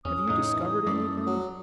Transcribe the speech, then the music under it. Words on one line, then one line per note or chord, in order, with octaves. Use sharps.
"Have you discovered anything?"
F2 C#4 D#6
A2 C#3 D#4
E3
F#1 F#2 G3 A4 D5
F#3